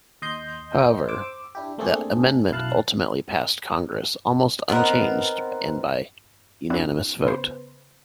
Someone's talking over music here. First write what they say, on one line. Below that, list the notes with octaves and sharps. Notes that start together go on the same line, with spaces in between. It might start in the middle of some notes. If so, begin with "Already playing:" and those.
However, the amendment ultimately passed Congress almost unchanged and by unanimous vote.
D#2 D#5 C6 G6
C5 D6 E6
D4 E4 G4
A3 A#3 C4 D4 G#4 A4
B1 F#2 E4 F5 A5 F#6
B3 C4 D#4 A#4
C4 D4 E4 F#4
C#3 B3 B4 C5